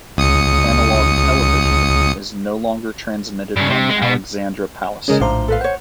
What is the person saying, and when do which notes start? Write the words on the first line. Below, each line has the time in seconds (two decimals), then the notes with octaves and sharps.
Analogue television is no longer transmitted from Alexandra Palace.
0.17 C#2 D#6 C#7
3.56 G2 C#3
3.70 C3
3.89 G#3
4.02 B2
5.08 C#3 G#3 C#4 G#4 A#4 D#5
5.20 A#1 A2 D4 C5 F5 A#5
5.48 A4 B4 F5
5.61 C5 C#5 F#5